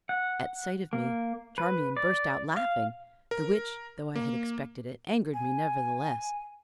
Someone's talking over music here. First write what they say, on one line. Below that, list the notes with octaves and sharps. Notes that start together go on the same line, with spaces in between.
At sight of me Charmian burst out laughing, the which, though I had expected it, angered me nevertheless.
F#5
A#3
B4
D5
F5
A#4
A#3
G#5